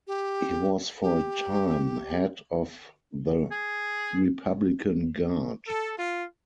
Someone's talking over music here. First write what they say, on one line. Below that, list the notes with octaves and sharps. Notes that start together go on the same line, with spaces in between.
He was for a time head of the Republican Guard.
G4
G4
G#4
A4
F4